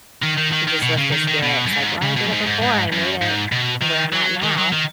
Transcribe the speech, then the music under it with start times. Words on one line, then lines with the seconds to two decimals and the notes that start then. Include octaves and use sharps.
to just lift your spirits like, "Well, I did it before. I made it to where I'm at now."
0.23 D#3
0.38 D#3
0.53 D#3
0.68 D#3
0.82 B2
0.98 C#3
1.12 D#3
1.27 D#3
1.43 B2
1.67 F#2
1.72 G#2
2.02 C#3
2.17 B2
2.27 F#2
2.32 G#2
2.47 G#2
2.62 G#2
2.92 F#2
3.22 G#2
3.52 B2
3.82 D#3
4.12 F#3
4.42 D#3
4.57 F#3
4.72 D#3